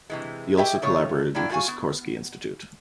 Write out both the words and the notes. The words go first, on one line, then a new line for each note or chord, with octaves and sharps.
He also collaborated with the Sikorski Institute.
C3 E3 G#3
G4 G#4 D#5 E5 G5
A2 C#3 F4 C#5
G3 A#3 D4 E4 G5
G3 A3 F4 F#4 F5 G#5
B3